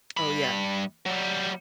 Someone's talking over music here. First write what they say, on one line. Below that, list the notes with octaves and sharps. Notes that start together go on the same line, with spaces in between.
Oh, yeah.
G2 B5
F#3 G3